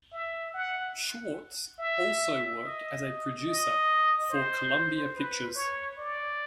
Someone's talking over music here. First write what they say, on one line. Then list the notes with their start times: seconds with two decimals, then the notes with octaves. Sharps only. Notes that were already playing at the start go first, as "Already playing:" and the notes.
Schwartz also worked as a producer, for Columbia Pictures.
0.13 E5
0.54 F#5
1.79 E5
2.64 D#5
3.47 D#5
4.31 C5
5.15 B4
5.56 C#5
5.98 D5